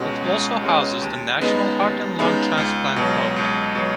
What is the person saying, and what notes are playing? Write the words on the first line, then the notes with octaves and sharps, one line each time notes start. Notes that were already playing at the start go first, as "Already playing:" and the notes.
It also houses the national heart and lung transplant programme.
Already playing: C#2 B2 G#3 C#4 F#4
C#2
B2 G#3 C#4 F#4
D#2
C#3 G#3 B3 D#4
D#2
C#3 G#3 B3 D#4
C#2
B2 F#3
C#2
B2 F#3